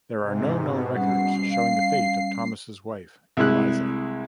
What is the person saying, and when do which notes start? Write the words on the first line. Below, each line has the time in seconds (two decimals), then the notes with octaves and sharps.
There are no known records showing the fate of Thomas' wife, Eliza.
0.19 G#2 C3
0.56 B2
0.95 G3 C#4 F#5 C7
1.51 F5
3.37 C2 G#3 E4 F#6